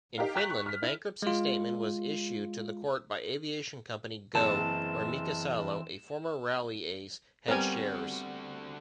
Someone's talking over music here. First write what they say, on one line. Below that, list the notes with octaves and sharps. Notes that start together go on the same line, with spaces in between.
In Finland the bankruptcy statement was issued to the court by aviation company Go! where Mika Salo, a former rally ace, had shares.
D#4 G4 A#4 F5
G5 A#5 C#6 F#6 B6 F7
C#6
F6 B6
E4
G#3 F4
F#1 E3 C4 A5 E7
D3 G3 B3 C4 F#4 A#4 G#5